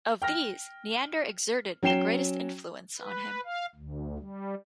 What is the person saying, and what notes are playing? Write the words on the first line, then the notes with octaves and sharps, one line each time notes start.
Of these, Neander exerted the greatest influence on him.
G5 F6 A#6
F#3 C#4 G5 C7 E7 G7
B4
F5
D2
G3